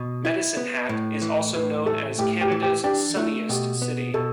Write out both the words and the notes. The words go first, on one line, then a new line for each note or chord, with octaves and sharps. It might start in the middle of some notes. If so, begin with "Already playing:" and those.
Medicine Hat is also known as Canada's sunniest city.
Already playing: B2
E4
B3
A2
E3
A2 B4
A3 A4
A2 G4
G4
E3
G4
D4 G4
A3 E4
B2 G4
B3
B2 A4